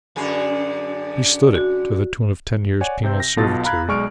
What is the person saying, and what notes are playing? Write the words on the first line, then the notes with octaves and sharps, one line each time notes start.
He stood it--to the tune of ten years' penal servitude.
F#2 D3 G#4
F#4
C#5 D5 F#5 G#5
C3 C4 G6
A#6
B1 B2 F4 A5 A6
F5 A#5 B5 F#6 G#6
B1 G#3 D5 C#6 F6 D7